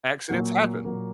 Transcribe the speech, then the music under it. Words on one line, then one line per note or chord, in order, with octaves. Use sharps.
Accidents happen.
A#2 F#3 A#3
A#2 F#3 A#3